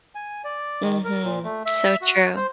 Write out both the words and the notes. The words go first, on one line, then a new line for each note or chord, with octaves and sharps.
Mhm, so true.
G#5
D5
D#3
A#4
A#2
A3
E5
F#4
C5